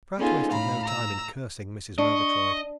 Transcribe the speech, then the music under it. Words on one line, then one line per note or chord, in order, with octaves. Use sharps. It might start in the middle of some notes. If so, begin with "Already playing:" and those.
Pratt wasted no time in cursing Mrs. Murgatroyd.
B3 C#4 D#4 F4 G#4 A4
A2 F5 A#5 B5
A#5 E6
D4 D#5 C#6